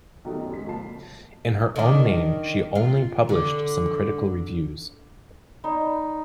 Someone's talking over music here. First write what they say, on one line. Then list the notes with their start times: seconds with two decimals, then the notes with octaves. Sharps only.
In her own name, she only published some critical reviews.
0.25 B2 D#3 F#3 G3 A3 D#4
0.40 F#2
0.52 G#3 B6
0.66 F#1 F2 A#2 F3 A5 C7
1.76 D#3 D4
2.75 F4
3.29 D3
5.64 D#4 D5 D#5 B5